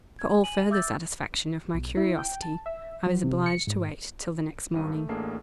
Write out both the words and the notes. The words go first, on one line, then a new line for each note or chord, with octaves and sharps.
For all further satisfaction of my curiosity, I was obliged to wait till the next morning.
G#6
G#5 D#7 F#7
E5 D6 E6 G6 A6
B1
E4
G5
A5
E5
F#3
C3
C#7
G#2
G#1 G2 D#7
A3
A1 A3 A#3 D4 G#4 C7